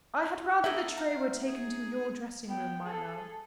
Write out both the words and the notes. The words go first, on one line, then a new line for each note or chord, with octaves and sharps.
"I had rather the tray were taken to your dressing-room, my love."
D#4 E4 A4 A#4 D#5 E5 F#5
F5 A#5
G#4
B3 G5
G#4 A4